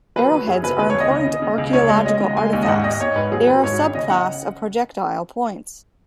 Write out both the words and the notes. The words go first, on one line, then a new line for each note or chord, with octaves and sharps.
Arrowheads are important archaeological artifacts; they are a subclass of projectile points.
F#3 B4
F#3
F#2 G#4
C#3 B4
C#3 B4
C#5
C#2
D#5
C#3
C#3
C#3
C#2
C#3 C#5
G#3
G#3 D#5
C#3
G#3 G#5
D#2
D#5
G#2 F#5
G#1 D#5
G#1 C#5
G#2 B4
F#3 G#4
F#3 B4
G#2 C#5
G#1
C#3 D#5
C#3 F#5